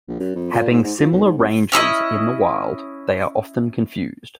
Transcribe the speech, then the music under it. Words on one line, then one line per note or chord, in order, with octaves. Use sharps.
Having similar ranges in the wild, they are often confused.
A#1
F#2
F2
A#2
G#2
G#2
F3
B1
G#2
C2
C#4 E4 C5 D#5